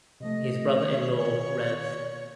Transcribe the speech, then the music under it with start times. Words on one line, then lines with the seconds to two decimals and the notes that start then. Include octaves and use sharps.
His brother in law Rev.
0.20 C3 F3 A3 D#5
0.78 B2 D#3 C#5